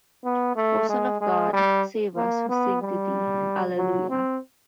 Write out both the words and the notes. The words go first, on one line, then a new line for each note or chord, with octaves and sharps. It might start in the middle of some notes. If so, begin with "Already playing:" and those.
O Son of God, save us who sing to Thee: Alleluia!
B3
A3
G#3
G#3
G3
A#3
B3
G3
F#3
C4